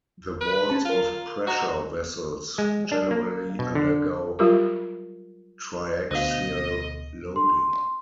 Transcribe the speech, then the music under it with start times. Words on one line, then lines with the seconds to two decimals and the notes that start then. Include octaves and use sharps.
The walls of pressure vessels generally undergo triaxial loading.
0.41 B4
0.70 C#4 A5
0.85 F4 A#4 F5
1.47 F#4 D#5 A#5
2.58 G#3
2.92 D4
3.11 A#3
3.59 B2
3.75 D3
4.39 F#3 G3 F4 G4 A#4 D6
6.11 D2 B2 C5 D#5 F5
7.36 C6